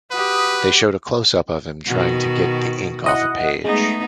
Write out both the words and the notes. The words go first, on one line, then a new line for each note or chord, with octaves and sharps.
They showed a closeup of him trying to get the ink off a page.
F#4 G4 B4 D#6
B2 D#3 F#4
E4 D#5 F#5
G#3 A3 B3 D#4